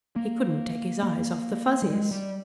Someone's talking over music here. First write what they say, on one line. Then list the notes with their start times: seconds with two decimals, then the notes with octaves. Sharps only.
He couldn't take his eyes off the Fuzzies.
0.16 A#3
1.03 A#3
1.82 G3
1.90 G#3
2.11 G3